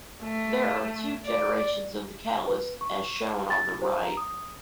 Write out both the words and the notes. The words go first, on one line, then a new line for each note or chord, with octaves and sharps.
There are two generations of the catalyst, as shown on the right.
A3
D5
B4
C#6
A6
C5
A#5
D#6